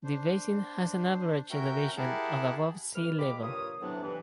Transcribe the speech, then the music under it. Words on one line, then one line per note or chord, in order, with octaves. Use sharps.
The basin has an average elevation of above sea level.
D4 C5
C#4 F#4 A#4 E5 G5 G6
E4 G4 G#4 A#4 F#5 A5
F2 E3 B4 F6
F3 G#3 G4 B5 D6
G2 A#3 F4 C#5 D#6
A2 C3 E3 F#3 B3 D4
G2 E3